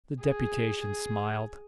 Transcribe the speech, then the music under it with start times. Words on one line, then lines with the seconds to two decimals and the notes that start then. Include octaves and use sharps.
The deputation smiled.
0.21 G#4
0.81 G#4